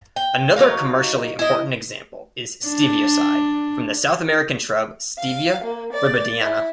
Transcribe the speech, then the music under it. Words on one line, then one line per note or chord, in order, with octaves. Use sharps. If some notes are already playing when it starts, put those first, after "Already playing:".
Another commercially important example is stevioside, from the South American shrub "Stevia rebaudiana".
G5
F#3 G3 D#4 F5
E4 D#5
D4
F5
A#3
D5
E4